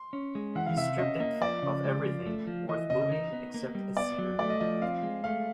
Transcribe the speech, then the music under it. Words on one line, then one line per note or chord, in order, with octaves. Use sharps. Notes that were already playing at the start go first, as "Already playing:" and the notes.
He stripped it of everything worth moving, except scenery.
Already playing: C6
C#4
G#3
E3 F#5
F5
C3 E5
C#4 D#5
A#3 D#5
F3 D5
C#3
G#3
F3
A3
F3
E3 D#5
C#3 D#5
D#5
D#4
B3
A#3
G3
B3 D5
F#3
A3 D5
D#5
F3 D#5
C4 F5
G#3
A3 F5